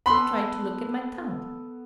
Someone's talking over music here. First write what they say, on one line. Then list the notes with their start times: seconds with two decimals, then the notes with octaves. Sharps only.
I tried to look at my tongue.
0.06 B3 A4 B5 C6